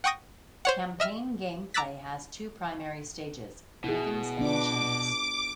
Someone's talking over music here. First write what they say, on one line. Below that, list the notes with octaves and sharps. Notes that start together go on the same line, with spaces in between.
Campaign gameplay has two primary stages, briefings and missions.
F#5 G5 C#6 D#6 A#6
C5 C#5 F#5
D#5 E5 F6
A#5 D6 E6 F#6 A6 B6
B2 E4 G#4
B3 D4 F4 D6